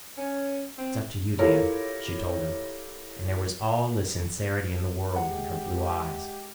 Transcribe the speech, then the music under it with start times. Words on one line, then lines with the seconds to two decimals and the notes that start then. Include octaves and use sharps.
"It's up to you, Dan," she told him, and there was all the sincerity in the world in her blue eyes.
0.18 C#4
0.77 C4
1.39 E4 F4 G4 A4 A#4 C#5
5.16 G#3 G4 F#5